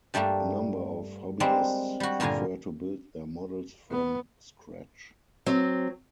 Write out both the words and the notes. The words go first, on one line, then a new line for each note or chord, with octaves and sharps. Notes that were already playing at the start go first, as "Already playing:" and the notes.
A number of hobbyists prefer to build their models from scratch.
G2 G3 A3 A#3 D4
G3 G#3 A#3 C4 D4
G3 F#4
G2 A#2 D3 A#4 F5 G#5
B3
F#3 C4